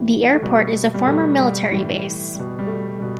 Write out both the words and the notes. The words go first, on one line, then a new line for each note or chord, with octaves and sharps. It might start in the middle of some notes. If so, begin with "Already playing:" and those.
The airport is a former military base.
Already playing: A2 E3 G3
A3
B2 G3
G3
B2 G3 A3
G3
A2 E3 G3
B2 G3
G3
A3
B2 G3